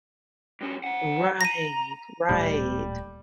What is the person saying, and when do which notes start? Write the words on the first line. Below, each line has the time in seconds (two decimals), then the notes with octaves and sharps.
Right, right,
0.61 G2 C#4
0.84 C5 F#5
1.41 A#5 A#6 D#7
2.29 D1 A#2 G3 A3